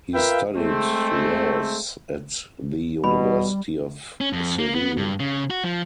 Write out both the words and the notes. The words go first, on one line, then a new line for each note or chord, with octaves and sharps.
He studied Laws at the University of Seville.
F4 A#4 B4 E5 F5 G5
G#3 A3 C4
B2 G3 B5
C#4
F2
A#3
B3
G2
C#3
F#4
F3